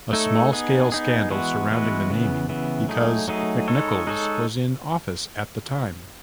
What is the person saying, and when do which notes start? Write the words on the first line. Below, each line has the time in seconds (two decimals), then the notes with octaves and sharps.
A small-scale scandal surrounded the naming, because McNichols was in office at the time.
0.13 A3 D#4 A4 C#5
0.52 B3 D#4 G#4
0.92 B3 D#4 G#4
1.31 E3 G#3 B3 F#4 B4
1.71 E3 G#3 B3 F#4 B4
2.10 C#3 E3 B3
2.49 C#3 E3 B3
2.89 F#3 A3 D#4 G#4
3.28 F#3 A3 D#4 G#4
3.68 G#3 D#4 A4 C#5
4.07 G#3 D#4 A4 C#5